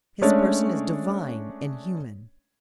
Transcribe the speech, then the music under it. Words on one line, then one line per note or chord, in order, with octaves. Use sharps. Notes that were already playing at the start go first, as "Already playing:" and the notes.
His person is divine and human.
G#3 A3 C#4 D4 C#5 D5